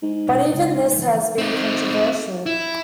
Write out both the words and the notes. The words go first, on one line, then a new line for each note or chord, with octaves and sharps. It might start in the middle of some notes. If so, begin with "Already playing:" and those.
But even this has been controversial.
G#2
B2 C#4
G#2 C#3
E3 F3
C4 D#4
E4